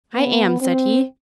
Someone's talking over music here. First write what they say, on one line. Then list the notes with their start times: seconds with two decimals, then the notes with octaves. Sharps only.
"I am," said he.
0.14 B3
0.61 C4